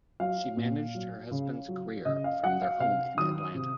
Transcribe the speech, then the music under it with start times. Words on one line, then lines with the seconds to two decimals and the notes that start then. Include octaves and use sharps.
She managed her husband's career from their home in Atlanta.
0.20 F#3 F5
0.57 A#2
0.95 F#3
1.31 C#3
1.68 F#3
2.05 C#3 D#5
2.24 F5
2.43 F#3 F#5
2.62 F5
2.80 C3 F5
3.17 D#3 F#3 D#6
3.55 C3